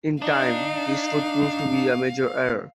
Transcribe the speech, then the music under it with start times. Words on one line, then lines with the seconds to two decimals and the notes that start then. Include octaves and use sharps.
In time, this would prove to be a major error.
0.22 D4 D#4 F5